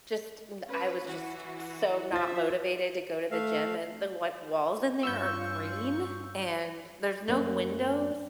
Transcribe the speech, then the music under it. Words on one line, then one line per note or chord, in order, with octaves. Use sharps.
just da I was just so not motivated to go to the gym, and the, like, walls in there are green, and there's no windows.
C#4 B4
E3 F#4
F4 C5 E5 A6
A3 E5 F5
G2 C#4 F4 C#6 E6 G6
F#2 A#3